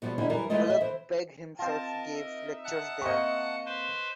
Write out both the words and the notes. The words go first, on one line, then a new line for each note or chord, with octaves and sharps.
Ulugh Beg himself gave lectures there.
B2 F3 G3
D3 E3 G3 C#4 D#4 E4
F#2 E3 G3 A#4
E3 G#3 A3 E4 F4 D#5
D#5 E5
E3 C5
C4 F4 A#4 D#5 A5
D#4 E5
F#5 A5 F#6
A#3 C4 D#5 C#6
B4 C5 C6